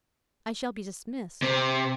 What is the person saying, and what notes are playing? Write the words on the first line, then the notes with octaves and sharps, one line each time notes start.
I shall be dismissed.
C3